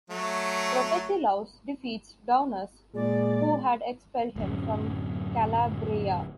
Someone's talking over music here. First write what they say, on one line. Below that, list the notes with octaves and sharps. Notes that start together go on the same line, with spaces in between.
Protesilaus defeats Daunus, who had expelled him from Calabria.
F#3 A3
A#2 G#3 G#4 D5
D1 F#2